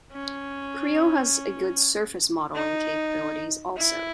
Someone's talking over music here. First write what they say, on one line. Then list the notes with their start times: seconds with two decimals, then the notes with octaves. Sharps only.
Creo has a good surface modeling capabilities also.
0.12 C#4
2.55 D#4
3.76 E4